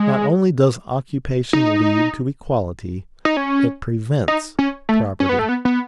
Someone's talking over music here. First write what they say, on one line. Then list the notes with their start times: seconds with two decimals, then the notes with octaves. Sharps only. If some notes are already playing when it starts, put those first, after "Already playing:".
Not only does occupation lead to equality, it PREVENTS property.
Already playing: G#3
1.53 D#4
3.25 D#4
3.37 C#4
4.28 D#4
4.59 C#4
4.89 A3
5.20 C#4
5.29 B3
5.39 A3
5.49 B3
5.65 B3